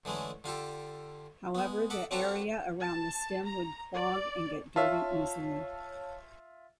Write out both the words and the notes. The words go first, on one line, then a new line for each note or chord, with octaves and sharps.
However, the area around the stem would clog and get dirty easily.
D3 E3 G#3 A3 C#4
D3 F4 G4 A4
G#3 B3
A4 D#5 F#5 B5 D6
C4 D4 F#4 G4 A4 A#5
A5
A#5
D5
F4 C#5 E5 F5 A5